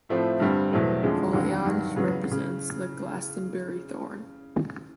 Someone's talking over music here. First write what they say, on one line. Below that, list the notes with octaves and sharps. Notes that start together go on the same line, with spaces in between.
Foliage represents the Glastonbury Thorn.
A2 F3 A3 C4 E4
G2 D3 G3 C4
E2 B2 F#3 A3 C4
F2 D3 F3 G#3 C#4
F1 D#2 D3 F#3
G2 D#3 F#3
E2 C#3 F#3 B3
C#3